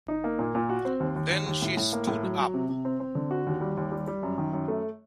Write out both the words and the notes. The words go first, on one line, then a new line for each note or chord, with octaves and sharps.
Then she stood up.
D#4
A#3
A#2
A#2
F#4
C4
D#2
D#2
D#2
D#2
A2
A2
A#3
A2
F#3
F#3
C3
C3
C4
C4
D3
F#4
D#2
G3
D#2
G3
G3
F#2
D#3
F#2
A3